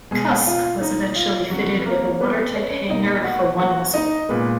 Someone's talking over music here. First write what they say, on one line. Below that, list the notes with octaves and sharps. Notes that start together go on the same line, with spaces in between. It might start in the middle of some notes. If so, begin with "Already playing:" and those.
"Cusk" was eventually fitted with a watertight hangar for one missile.
B2 G#3 G#4
F4
D#4
F4
F2 C#3 F#3 F#4
B4
A#3 A#4
B3 B4
C#5
B4
C#4 C#5
B2 A#3 D#4 D#5
F#4 F#5
F#4 F#5
D#4 D#5
A#2 G#3 B3 B4